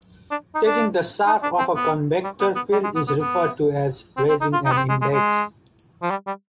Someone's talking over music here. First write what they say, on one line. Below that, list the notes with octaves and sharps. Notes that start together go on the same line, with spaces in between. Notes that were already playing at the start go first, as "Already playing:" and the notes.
Taking the sharp of a covector field is referred to as "raising an index".
D4
D#4
D4
D#4
D4
C4
B3
G3
B3
B3
G3
G#3
B3
B3
B3
C4
C4
D#4
F4
D#4
B3
C4
G#3
G#3
G#3
F3
G3
G3